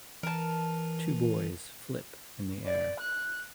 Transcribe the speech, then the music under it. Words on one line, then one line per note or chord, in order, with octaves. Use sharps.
Two boys flip in the air.
E3 A#4 A5
D5
F#6